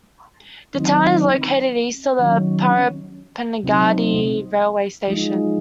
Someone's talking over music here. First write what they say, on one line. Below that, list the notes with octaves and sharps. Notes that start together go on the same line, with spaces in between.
The town is located east of the Parappanangadi Railway station.
D#3 F#3 C4 D#4
D#3 F#3 C#4
C3 F#3 C4 D#4
F3 G#3 D#4